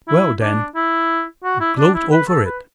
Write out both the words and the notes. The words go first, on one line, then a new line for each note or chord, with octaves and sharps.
Well then, gloat over it!
E4
D4
E4
F#4
E4
D4
E4
B4
A4
B4